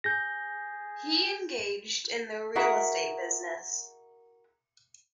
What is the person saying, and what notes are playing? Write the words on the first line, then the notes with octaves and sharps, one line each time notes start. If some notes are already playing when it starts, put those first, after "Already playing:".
He engaged in the real-estate business.
G#4 G6 A#6
E4 F#4 G#4 A#4 E5 F#5